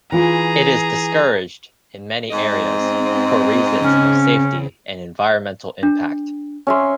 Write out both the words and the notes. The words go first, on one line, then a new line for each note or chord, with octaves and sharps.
It is discouraged in many areas, for reasons of safety and environmental impact.
E3 F4 G#4 A#5
G#2 C4 D#5
C#3 C#4
D4
C#4 E5 C6